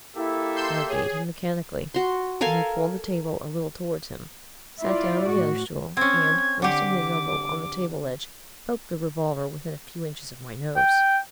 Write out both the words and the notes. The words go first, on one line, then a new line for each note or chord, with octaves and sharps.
I obeyed him mechanically, and he pulled the table a little towards him, sat down on the other stool, and, resting his elbow on the table ledge, poked the revolver within a few inches of my nose.
A#3 E4 G4 A4 E5
C6 E6 G6
G#4 C#5
F#4 C6
A4 A#4 F5 G#5
E4 F4 D5
A2 F#4
C4 C#4 G#6
D3 G4 D6
G5